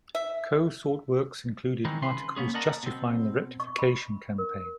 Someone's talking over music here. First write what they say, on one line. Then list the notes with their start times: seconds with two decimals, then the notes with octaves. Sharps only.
Coe sought works included articles justifying the Rectification campaign.
0.15 E5
1.85 D#3 E3 G#3 C4 D#4
2.02 C#3 B4 C6
2.36 A#3 B3 C#4 G#4
2.54 A#4 D5 D#5 F#5 A5 A#5
2.83 B2 C4
3.60 C#6
3.79 B5
4.38 A#4